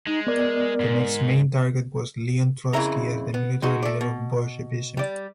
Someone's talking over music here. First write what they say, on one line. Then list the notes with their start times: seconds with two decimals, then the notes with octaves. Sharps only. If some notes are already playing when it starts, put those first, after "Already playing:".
The next main target was Leon Trotsky as the military leader of Bolshevism.
0.07 G#3 D#4
0.27 B3 A#4 D5
0.80 G#2
2.73 F2 C#3 E4 A#4 E5 A#5
3.34 B3
3.62 G#3 D#4 F#4 G#4
3.83 A3 D5
4.01 B2
4.97 G3 D5